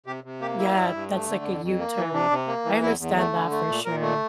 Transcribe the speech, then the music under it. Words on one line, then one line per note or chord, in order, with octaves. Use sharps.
yeah, that's, like, a U-turn. I understand that for sure.
C3 G4
C3
A#3 G4
G3 E4
G2
G2
A3
D3
F2
F2
A#3
E3
C3 D4
C3
A#3
E3
E2 E4
E2
A3
D3
A3
A#2
A#2 A#4
A3